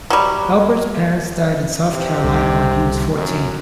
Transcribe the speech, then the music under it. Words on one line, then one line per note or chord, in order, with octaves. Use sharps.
Elbert's parents died in South Carolina when he was fourteen.
F#3 G3
C3
C2
F#2